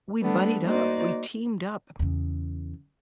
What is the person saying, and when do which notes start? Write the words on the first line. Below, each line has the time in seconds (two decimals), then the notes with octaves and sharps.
we buddied up, we teamed up.
0.22 G3 A3 B3 D4
0.64 A#3 D#4 F#4 C5 D5
1.99 E2 C#3